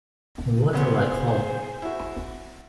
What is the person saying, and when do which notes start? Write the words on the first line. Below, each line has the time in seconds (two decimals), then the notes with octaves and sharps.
What'll I call them?
0.73 C#3 B3 C4 G#4 C5
1.82 E4 F#4